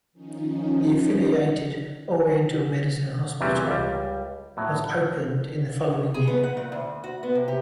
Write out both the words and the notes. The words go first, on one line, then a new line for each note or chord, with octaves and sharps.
The affiliated Oriental medicine hospital was opened in the following year.
D#3 F3 C#4 D#4
E2 C3 E3 F#3 G3
C#2 G3
A2 F#3
G#4
B3
F#5
A#2
D2
F#4
B3
C3
G4